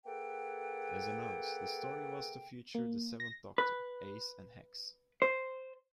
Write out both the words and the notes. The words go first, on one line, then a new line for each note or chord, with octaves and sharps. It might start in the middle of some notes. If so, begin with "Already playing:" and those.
As announced, the story was to feature the Seventh Doctor, Ace and Hex.
A#3 G#4 A4 B4 F#5 G5
A#3
A#6
B4
C5